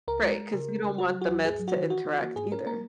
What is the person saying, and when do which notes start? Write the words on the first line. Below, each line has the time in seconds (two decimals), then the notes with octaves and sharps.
Right, 'cause you don't want the meds to interact either.
0.08 C#2 A#4
0.23 G#3
0.38 G#3
0.54 C#3
0.69 G#3
0.84 C#3
0.98 F#3 F#4
1.14 F#3
1.22 F#4
1.29 D#2
1.45 G#2 G#4
1.59 F#3
1.68 F#4
1.75 D#3
1.90 E3 F#4
2.05 E3
2.13 F#4
2.21 A#3
2.36 G#2 G#4
2.52 C#4 A#4
2.66 A#3 A#4